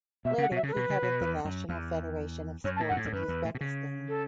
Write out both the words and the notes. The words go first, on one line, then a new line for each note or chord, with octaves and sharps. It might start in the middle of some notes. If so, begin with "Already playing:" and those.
Later, he headed the National Federation of Sports of Uzbekistan.
B2 E5
C#3 F#5
B2
E5
C#3 A4
B2 B4
C#3
B2
E2
F#2
E2
F#2 C#5
A5
A2
F#2 F#5
A2
E2
F#2 B4
E2
A2
B2
C#3
A4